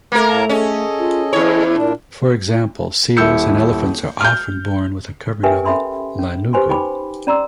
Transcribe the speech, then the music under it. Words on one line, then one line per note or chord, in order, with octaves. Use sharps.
For example, seals and elephants are often born with a covering of lanugo.
A3 A#3 A#4
A2 A5 A#5
C#4 G#4 A4 D#5
F4
E2 E4 C#5
A#2 D4
D#1 E4 E6 G6 C#7
F6 G6
G4 A#4 B4 E5 G5 G#5
C#4 A4 E5 B5 C6 D#6
C#4
G4 B4 C5 G#5 C6
D#4 G5 B5 D6
C#4 D5 A#5 C6 D6 E6